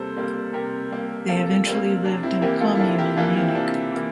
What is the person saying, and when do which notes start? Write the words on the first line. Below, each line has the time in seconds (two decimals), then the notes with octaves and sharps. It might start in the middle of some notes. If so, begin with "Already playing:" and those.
They eventually lived in a commune in Munich.
Already playing: C3 G3 A#3 A4 C5
0.17 G3 A#3
0.53 C3 G4 A#4
0.91 G3 A#3
1.28 C3 F4 A4
1.67 G3 A#3 C4
2.04 C3 D4
2.23 C4 E4
2.41 E3 A#3 G4 A#4
2.61 F4 A4
2.75 E4
2.79 C3 D4 F4
2.99 G4 A#4
3.17 E3 A#3 D4 F4
3.35 C4 E4
3.48 C4
3.54 C3 D4
3.92 E3 A#3